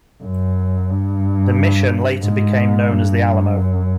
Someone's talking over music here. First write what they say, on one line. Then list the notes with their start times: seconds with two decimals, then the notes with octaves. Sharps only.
The mission later became known as the Alamo.
0.23 F#2
0.90 G2
2.23 G#2
2.90 G2
3.56 F#2